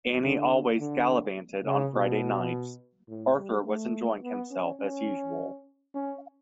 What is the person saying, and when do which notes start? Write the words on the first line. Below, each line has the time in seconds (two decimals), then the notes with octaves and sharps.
Annie always “gallivanted” on Friday nights; Arthur was enjoying himself as usual.
0.23 D3
0.80 D3
1.65 C#3
1.94 B2
3.09 A2
3.37 G3
3.65 A3
4.23 B3
4.51 C#4
4.80 C#4
5.94 C#4